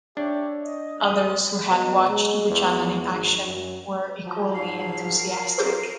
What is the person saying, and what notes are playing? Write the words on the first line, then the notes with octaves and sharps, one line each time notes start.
Others who had watched Buchanan in action were equally enthusiastic.
D4 G4 C#5 E5
D#5
G#3 C4 D#6
B2
G#3
E2
G#1
F#2
F3 F#3
G#2 F5
A#4 F5